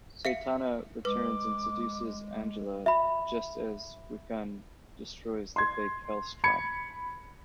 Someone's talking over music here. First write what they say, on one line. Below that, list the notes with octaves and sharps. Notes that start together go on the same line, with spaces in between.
Satana returns and seduces Angela just as Wiccan destroys the fake Hellstrom.
E5 F5 C#7
G#3 B4 D6
E5 B5
C6 G#6
B5 G#6 C#7